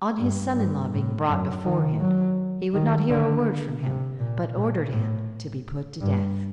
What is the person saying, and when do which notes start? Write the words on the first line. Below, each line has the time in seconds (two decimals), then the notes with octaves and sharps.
On his son-in-law being brought before him, he would not hear a word from him, but ordered him to be put to death.
0.19 G2
0.55 G2
0.92 A2
1.28 F#2
1.65 D#3
2.01 F#3
2.74 D#3
3.10 D3
3.83 C3
4.19 A#2
4.55 A#2
4.92 A2
6.01 G2